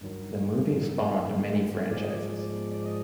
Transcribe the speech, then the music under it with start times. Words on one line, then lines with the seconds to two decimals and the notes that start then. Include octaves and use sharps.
The movie spawned many franchises.
0.01 G2 D#3 F#3
1.90 G#2 F3 G#3 D5
2.02 D#5
2.14 D5
2.38 D5
2.74 D5
2.85 D#5